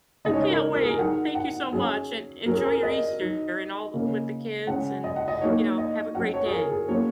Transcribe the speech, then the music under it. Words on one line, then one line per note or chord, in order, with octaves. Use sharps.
can't wait. Thank you so much, and enjoy your Easter and all with the kids, and, you know, have a great day.
C#3 G#3 D#4 D#5
C#5
D#5
A#4
A#4
G#4
A#4
F#3 D#4 F#5
F#5
F#3 C#4 G#4
F#3 C#4 A#4
G#4
A#4
D#5
F#3 D#4
C#3 A#3 C#4
C#3 G#3 C#4 F#5
D#5
F#5
D#5
F#3 A#3 D#4 C#5
D#5
F#3 C#4 F#5
C#5
G#4
A#4
G#4
F#3 A#3 C#4 C#5